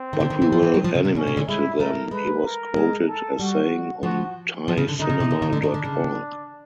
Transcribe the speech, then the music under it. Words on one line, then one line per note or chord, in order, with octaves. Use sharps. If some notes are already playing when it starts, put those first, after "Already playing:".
But we will animate them, he was quoted as saying on ThaiCinema dot org.
Already playing: C4
D#3
D3
D#3
E3
F3
E3
F#3
F3
C#3
C3
B2 C#4
C3
D3
G#3 E4
A3 A#4
G#3 B4
A#4
G#3
A4
G3 F#4
F3 F#4
F3
C#3
D3
D3 D#4
C#3
C3
D3
D#3
D3
D#3 D4
D3
C#3